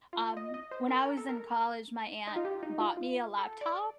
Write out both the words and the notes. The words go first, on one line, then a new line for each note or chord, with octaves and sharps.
Um, when I was in college, my aunt bought me a laptop,
F4
D#5
D#5
C5
A#4
A#4
A4
A#4
D#4
F4
G4
D#4
F4
F4
A4
D5